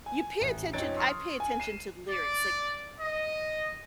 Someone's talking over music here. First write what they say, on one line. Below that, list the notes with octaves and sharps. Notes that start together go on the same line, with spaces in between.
you pay attention, I pay attention to lyrics, like,
G#5
A1
F2 C#4 D#4 G#6 A6 D7
C6 C#6 D#6 F6
G#5
C7 D#7 E7
D5
D#5